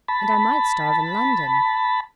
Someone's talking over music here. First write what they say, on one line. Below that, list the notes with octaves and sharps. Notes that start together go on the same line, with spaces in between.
'And I might starve in London.
A5 B5